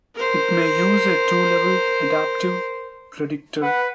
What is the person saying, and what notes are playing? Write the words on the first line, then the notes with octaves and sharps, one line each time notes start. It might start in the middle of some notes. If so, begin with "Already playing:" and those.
It may use a two-level adaptive predictor.
A#4 C5
B4 F#5